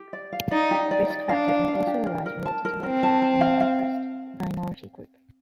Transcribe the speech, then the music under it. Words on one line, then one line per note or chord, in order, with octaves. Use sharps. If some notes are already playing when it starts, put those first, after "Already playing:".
Risk factors may also arise related to membership in an oppressed minority group.
Already playing: G4
D5
F5
D#4 D5
G4
D5
D5
D4 F5
F5
F5
G4
A#4
A#4
A5
A#4
C4 A#4
A5
A5
F5
F5